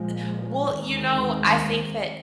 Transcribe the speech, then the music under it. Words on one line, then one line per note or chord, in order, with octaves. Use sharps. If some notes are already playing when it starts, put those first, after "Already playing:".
Eh Well, you know, I think that
Already playing: A#2 F3 G#3
D#2 D#3 G#3 C4